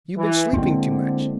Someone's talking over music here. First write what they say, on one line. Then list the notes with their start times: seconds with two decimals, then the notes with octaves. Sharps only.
You've been sleeping too much.
0.17 E3
0.53 D3 G#3 A#3 C4 E4